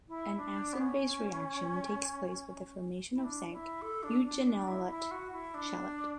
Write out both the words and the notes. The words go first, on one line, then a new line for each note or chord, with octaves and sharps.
An acid-base reaction takes place with the formation of zinc eugenolate chelate.
E4
D4
B3
C#4
E4
D4
D4
E4
A4
D4
D4
D4
E4
E4
F#4
E4
D4